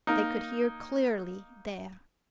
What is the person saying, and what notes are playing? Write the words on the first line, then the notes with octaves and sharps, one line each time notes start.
They could hear clearly there.
A#3 D#4